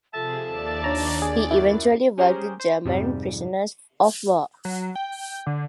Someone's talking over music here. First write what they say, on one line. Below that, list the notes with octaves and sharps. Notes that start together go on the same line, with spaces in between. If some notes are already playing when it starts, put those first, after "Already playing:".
He eventually worked with German prisoners of war.
C3 F3 G#4 A4 E5 A5
D#2 D5 A6
D4 C#5 A#5
G#4
F#2 E4
C#4 G4 G#4 A#4 C5
C5
F2 G#2 C3 G3
F#3
G5
D3